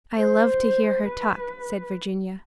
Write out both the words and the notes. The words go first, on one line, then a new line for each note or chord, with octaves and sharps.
"I love to hear her talk," said Virginia.
C5
B4